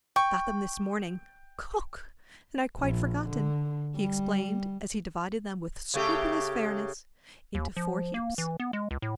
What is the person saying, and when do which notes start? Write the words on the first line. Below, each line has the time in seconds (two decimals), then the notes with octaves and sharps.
'I got them this morning - cook - and I'd quite forgotten,' he explained as he divided them with scrupulous fairness into four heaps.
0.16 G5 C#6
2.79 A#1
3.29 D3
3.96 G3
5.94 C#3 A3 G4
7.55 D#2
7.77 F3
8.14 A#3
8.38 E3
8.60 B3
8.73 G#3
8.91 C#2
9.02 A2